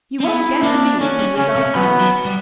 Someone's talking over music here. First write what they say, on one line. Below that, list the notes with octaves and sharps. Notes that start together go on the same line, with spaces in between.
You won't gammon me as to the result, either.
C4
B3 E4
A#3 D4
A#3 C#4
G3
C#3 C#4
C3
F#3 B3
F#3
G3